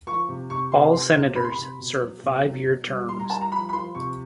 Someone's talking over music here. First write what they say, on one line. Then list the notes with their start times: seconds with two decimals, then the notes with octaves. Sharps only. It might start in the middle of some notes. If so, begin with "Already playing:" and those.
All senators serve five-year terms.
0.07 F3 C#6
0.29 C3
0.50 C3 C#6
0.72 C3 C6
0.93 C3 C6
1.14 C3
1.36 C3 B5
1.44 C6
1.52 B5
1.58 C3
1.79 B2
2.01 F#3
2.23 B2
2.44 F#3
2.66 B2
2.87 G3
3.09 G3 C6
3.20 A#5
3.30 G3 A5
3.41 A#5
3.52 F3 B5
3.69 B5
3.73 F3 C6
3.95 C3 C#6